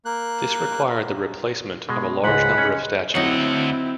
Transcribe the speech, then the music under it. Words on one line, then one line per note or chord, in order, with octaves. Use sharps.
This required the replacement of a large number of statues.
A#3 F#6
B2 G#3
C#2 G#2 G#3 F#5 B5
C#4
D2 F#3 C4 D#4 E4 F#5